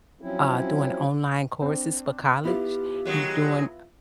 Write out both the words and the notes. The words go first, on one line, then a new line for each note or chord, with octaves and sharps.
uh, doing online courses for college. You doing,
F3 F#3 C4 C#4 E4
C4 D4
B3 E4 F4 G4
D#3 F#3 G#3